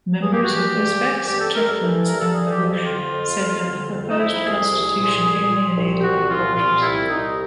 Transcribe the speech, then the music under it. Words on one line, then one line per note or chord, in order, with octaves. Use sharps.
Members of Uzbeks, Turkmens and Baluch said that the Proposed Constitution alienated their cultures.
G2 G#4
G4
F#4
E3 G4
G2
E3
G2 G4
A4
G2 A#4
A4
E3
G2 A#4
A4
D3 G#4
G4
F2
G4
D3 F4
F2
F2
D3
F2
D#4
F2 E4
C2 G#4
C2
A#2
A#2
A#2
C2
G4
A#2 F#4
C2 F4
A#2 F4
C2 E4
C2 D#4